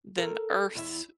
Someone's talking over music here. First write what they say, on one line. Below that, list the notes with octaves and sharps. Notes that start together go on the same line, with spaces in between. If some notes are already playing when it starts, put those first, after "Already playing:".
than Earth,
A4 A#4
E2 E4 E5